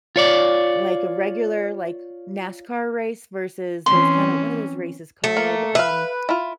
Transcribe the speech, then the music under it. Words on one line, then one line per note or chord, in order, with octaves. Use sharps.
like, a regular, like, NASCAR race versus those kinda what are those races called, um,
F4 C#5 D5
E3 C4 C#4 C6
A3
A#3
B4 E5 F5
E4 F4